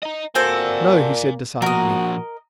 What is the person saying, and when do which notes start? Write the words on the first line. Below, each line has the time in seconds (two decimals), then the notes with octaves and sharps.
'No,' he said decidedly.
0.03 D#5 A#5
0.35 A#3 C4 F#4 A4 D5 G#5
1.62 A#2 F3 F#4 A#4 D#5